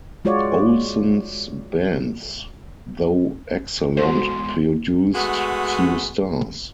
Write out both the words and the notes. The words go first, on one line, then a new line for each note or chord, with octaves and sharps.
Olsen's bands, though excellent, produced few stars.
G#3 F4 F#4 C#5 D5
E2 G#2 F#4 A4 C5 C6
G#3 A3 B3 F#4